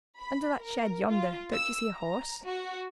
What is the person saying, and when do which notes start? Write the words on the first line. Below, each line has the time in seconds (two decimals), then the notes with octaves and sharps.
"Under that shed yonder, don't you see a horse?"
0.18 B5
0.59 A#4
1.08 F4
1.53 E6
1.90 A#5
2.45 F#4